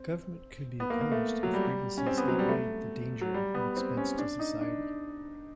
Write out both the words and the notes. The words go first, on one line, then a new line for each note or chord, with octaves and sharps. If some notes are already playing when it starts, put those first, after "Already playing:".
Government could be opposed if grievances outweighed the danger and expense to society.
Already playing: C4
B3
A#3
A#3
A3
F#3
G3
C#4
C4
B3
F#3
G3
A3
F#3
G3
B3
C4
C#4
D4
D#4
D4